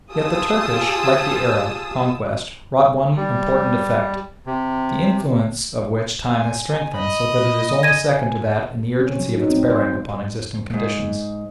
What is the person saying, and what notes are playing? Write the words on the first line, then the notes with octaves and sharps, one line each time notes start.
Yet the Turkish, like the Arab, conquest wrought one important effect, the influence of which time has strengthened so that it is only second to that in the urgency of its bearing upon existing conditions.
F4 G4 G#4 A5 D#6 E6
G3
C3
G#5
D#5 B5
A#2
G#5 G#6 A#6 D#7
C#4
F#3
D#4
C4
C5
G#2